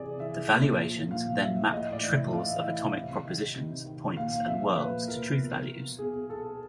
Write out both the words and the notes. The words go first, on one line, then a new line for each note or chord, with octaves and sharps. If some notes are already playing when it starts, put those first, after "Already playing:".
The valuations then map triples of atomic propositions, points, and worlds to truth values.
Already playing: C3 E3 G#4 D5
E3 E5
A#2
F3
A#2 F5
F3 E5
A2 D#5
D5
E3
E5
A2 F5
E5
E3 E5
C3
D#3
C3
D#3
A#2 F5
F3 E5
A#2 B4
F3 A#4
B2
B2 G#4
A4